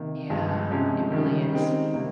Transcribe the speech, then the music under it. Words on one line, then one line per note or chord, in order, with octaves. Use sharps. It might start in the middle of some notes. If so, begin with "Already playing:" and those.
Yeah. It really is.
Already playing: C3 D#3 A#3 D#4
G2 F3 G#3
C3 F3 G#3 C#4
D#3 G3 C#4
D#3 G#3 C4 D#4
C3 D#3 G3 A#3